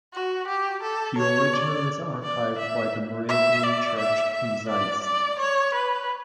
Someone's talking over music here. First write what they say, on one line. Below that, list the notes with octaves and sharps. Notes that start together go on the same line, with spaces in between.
The original is archived by the Moravian Church in Zeist.
F#4
G4
A4
C#5
D5
D5
E5
E5
D5
E5
E5
D5
D5
C#5
B4